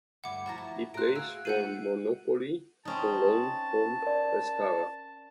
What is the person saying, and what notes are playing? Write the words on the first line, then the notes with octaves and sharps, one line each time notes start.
He plays for Monopoli on loan from Pescara.
D2 G2 E4 F#5 D6
F3 E4 F#4 A5 A#5
C#6
A2 C5 A#5 F#6 D7
F#4 G#4 F5 E6
A3 F4 F#5 G6 C7 D#7 F#7
C4 C#4 D#4 A5
A#4 D5